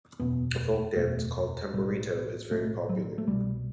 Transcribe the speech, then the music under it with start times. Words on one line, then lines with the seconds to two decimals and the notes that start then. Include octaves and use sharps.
A folk dance, called "tamborito" is very popular.
0.19 F#1 E2 B2 B3
0.96 F#1 E2 B2 A3
1.73 B1 A2 G3
2.51 B1 A2 A3
2.89 F#3
3.18 A3
3.28 C2 B2 G3